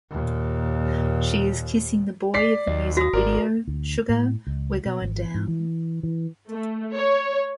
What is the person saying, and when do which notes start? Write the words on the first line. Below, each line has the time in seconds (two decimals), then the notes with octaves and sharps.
She is kissing the boy of the music video "Sugar, We're Goin Down".
0.11 D#2 A#2
2.34 D5 B6 C7
2.67 D#2 D#5
2.97 F#4 D#6 A#6
3.13 G#1 A#4 D5
3.68 D2
4.09 A2
4.47 C#2
4.85 B2
5.02 G#1
5.35 G#2
5.48 E3
6.03 E3
6.50 A3
6.95 C#5